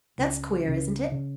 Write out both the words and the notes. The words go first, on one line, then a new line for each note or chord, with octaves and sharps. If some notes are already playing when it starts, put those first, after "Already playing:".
That's queer, isn't it?
C#2 C#3
C#2 C#3
C#3